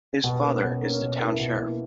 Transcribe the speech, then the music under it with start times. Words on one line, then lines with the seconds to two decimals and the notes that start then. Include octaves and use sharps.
His father is the town sheriff.
0.24 B2
0.43 A#3 C#4
0.63 B2
0.82 A#3 C#4
1.01 B2
1.20 A#3 E4
1.39 B2
1.58 A#3 E4